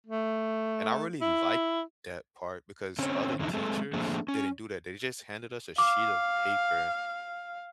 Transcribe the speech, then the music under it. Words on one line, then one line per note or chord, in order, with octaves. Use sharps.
and I really liked that part because other teachers, they didn't do that, they just handed us a sheet of paper
A3
E4
D3 C4 C#4
E2 D3 F3 A3 D#4 E4
G#3 A3 C4 G#4 A4
F3 A3 A#3 C4 D4 G#4
C#4
F5 D6